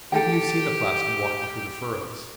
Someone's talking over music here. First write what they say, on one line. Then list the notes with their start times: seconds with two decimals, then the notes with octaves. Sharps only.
Maybe you've seen a flask in walking through the furrows?'
0.12 G4 A4 G5